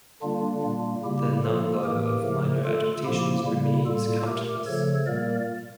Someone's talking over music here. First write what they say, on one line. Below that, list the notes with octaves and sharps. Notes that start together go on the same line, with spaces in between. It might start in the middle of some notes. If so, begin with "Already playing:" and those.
The number of minor adaptations remains countless.
D3 G3 A#3 D4 F4
A#2 G3 A#3
C#3 G3 A#3 E4 G4
D3 F3 A#3 F4 A4
A2 E3 A#3 G4 A#4
C#3 F3 A3
D3 A3 F4 A4
A#2 F3 A#3 E4 G4
C#3 G3 A#3 E4
A2 G3 A#3 F4 A4
A#2 A3 G4 A#4
C#3 F3 A3 A4 C#5
A#2 G3 A#3 A#4 D5